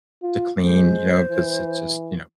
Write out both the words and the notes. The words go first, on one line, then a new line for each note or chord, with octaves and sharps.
to clean, you know, 'cause it just you know?
F4
G#3 C5
E3